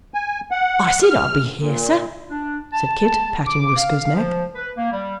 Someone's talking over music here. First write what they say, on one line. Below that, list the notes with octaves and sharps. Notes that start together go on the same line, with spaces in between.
'I said I'd be here, Sir,' said Kit, patting Whisker's neck.
G#5
F#5
F6
A#2
D4
A5
D6
F5
F3
B4
A#3
G3